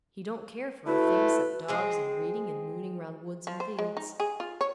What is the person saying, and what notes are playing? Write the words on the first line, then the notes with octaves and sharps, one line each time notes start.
He don't care for a thing 'cept dogs and reading and mooning round woods and fields.
A3 E4 F#4 B4
G#3 C4 G#4
F3
C5
G#3
D#4
G#4
F4
C#5